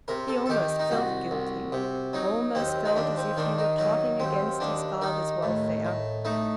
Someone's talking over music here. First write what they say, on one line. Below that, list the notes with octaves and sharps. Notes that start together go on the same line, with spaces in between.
He almost felt guilty, almost felt as if he were plotting against his father's welfare.
C3 A#4
A4
A4
D#3 G4
D#4
C2 F#4
C2
C3
F#3 D#4
D#2 C4
D#4
D#2 D4
C4
D#3 D4
D#4
F#3 D#4
D#2 C4
D#2 D4
D#3 D#4
A2
A2
A3 D#4